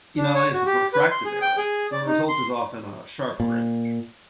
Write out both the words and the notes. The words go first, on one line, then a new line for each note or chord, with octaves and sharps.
In eyes with refractive error, the result is often a sharper image.
D4
C#5
F#4
G4
B4
C6
G#4
G5
G#4
D5
D#4
C6
A#2